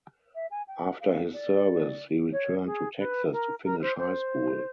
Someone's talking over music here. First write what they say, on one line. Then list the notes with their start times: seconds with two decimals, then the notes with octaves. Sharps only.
After his service, he returned to Texas to finish high school.
0.35 E5
0.51 G#5
0.68 G5
0.84 F#5
1.00 F5
1.33 D5
2.32 C#5
2.65 G#4
2.99 B4
3.32 A#4
3.64 A#4
3.82 C5
3.98 C5